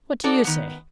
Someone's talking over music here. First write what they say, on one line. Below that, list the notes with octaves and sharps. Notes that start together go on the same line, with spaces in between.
What do you say?
D#4 F#4 A4 D5
D#3 B3